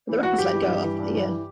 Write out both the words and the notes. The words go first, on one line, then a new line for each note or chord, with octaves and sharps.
But the Rapids let him go after the year.
E3
E3 F#4
G2 G4
E3
G2
E3
G2
E3
E3